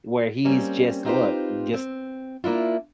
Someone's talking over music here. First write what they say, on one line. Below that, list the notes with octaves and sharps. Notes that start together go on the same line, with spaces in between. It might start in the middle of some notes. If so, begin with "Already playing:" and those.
where he's, just look, just,
G3 A#3 C4 C#4
C4 D#4 F4 G4 B4 C5
C4
A#3 D4 E4 F4